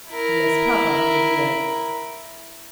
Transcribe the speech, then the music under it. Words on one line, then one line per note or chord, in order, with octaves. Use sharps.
"Yes, papa, I did."
E4 A#4